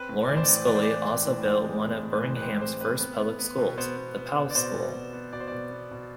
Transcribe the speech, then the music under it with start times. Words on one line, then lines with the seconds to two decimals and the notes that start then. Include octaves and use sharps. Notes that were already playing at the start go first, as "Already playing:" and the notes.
Lawrence Scully also built one of Birmingham's first public schools, the Powell School.
Already playing: C4 B4
0.09 A2
0.29 E3 D5
0.37 C5
0.44 A2 D5
0.67 E3 D5
0.75 C5
0.83 E3 D5
1.06 C4
1.25 A2
1.45 C4
1.64 G#3
1.84 C4
2.03 A2
2.14 B4
2.22 E3 C5
2.37 B4
2.42 C4 C5
2.61 C4 C5
2.80 C4 B4
3.00 B3
3.19 B3
3.39 B3
3.58 B2
3.78 B3 C5
3.97 B3
4.17 B3
4.36 B3
4.50 D5
4.55 B2 C5
4.74 B2
4.94 B2
5.13 B3
5.33 B2 D5
5.40 C5
5.48 B2 D5
5.71 B3
5.91 B2